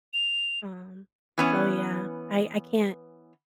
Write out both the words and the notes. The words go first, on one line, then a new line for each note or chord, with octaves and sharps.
Um, so, yeah, I I can't
F7
E3 B3 C#4